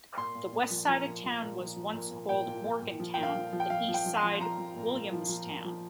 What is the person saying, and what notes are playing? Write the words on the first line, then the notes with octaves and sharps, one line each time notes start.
The west side of the town was once called Morgantown; the east side, Williamstown.
A#2 C6
A#2
A#2
F3
F3 A#5
A#2
F3
A#2
F3
F3
A#2
A#2
A#2 G5
A#2
A#2
A#2
F3
A#2 G5
F5
F3
F3
G5
F3 F5
F3
G5
F3
C6
F3
F3 A#5
F3
A#2
A#2
F3
F3
A#2
F3